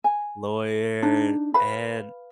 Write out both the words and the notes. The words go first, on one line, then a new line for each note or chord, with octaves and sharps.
lawyer, and
G#5
D4 D#4
B4 F5 B5